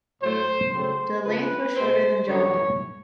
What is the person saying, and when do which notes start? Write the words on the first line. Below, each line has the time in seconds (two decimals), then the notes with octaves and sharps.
The length was shorter than Jama.
0.21 A2 F#3 A3 C5
0.72 C#3 F#3 A3 C4 C5
1.24 C#3 F3 G#3 B4
1.75 B2 G#3 C4 C5
2.27 F#2 D3 G3 B3 C#5